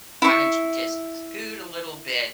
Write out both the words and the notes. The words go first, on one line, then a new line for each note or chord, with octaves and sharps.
Why don't you just scoot a little bit
E4 C#6